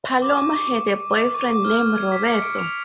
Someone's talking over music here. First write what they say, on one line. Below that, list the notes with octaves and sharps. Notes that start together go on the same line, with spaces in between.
Paloma had a boyfriend named Roberto.
D6
C#6
D6
C#6
D6
F6
G#6
B6
C#7
D7
F7